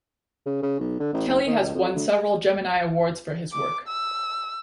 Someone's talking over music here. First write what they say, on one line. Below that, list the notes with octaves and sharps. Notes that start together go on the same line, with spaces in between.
Kelley has won several Gemini Awards for his work.
C#3
C#3
B1
D3
A1
F#1
D#3
C#2
F2
D2
D6
E6